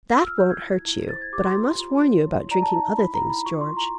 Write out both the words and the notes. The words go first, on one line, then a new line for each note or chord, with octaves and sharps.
'That won't hurt you; but I must warn you about drinking other things, George.
F4 E6
F6
F4 G6
G#6
E4
E4
C5 A6
G#6
G4 D6
C6
F4
F4
C#5
E4
D5 A#5
A5
D#4 A#5
E4 B5
A#5
E4
B5
F4 C#6
C6
F4
A#5